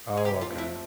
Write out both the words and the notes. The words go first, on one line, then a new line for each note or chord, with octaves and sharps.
Oh, okay.
G#4
C3 G4
F4
F3 A3 C4
E4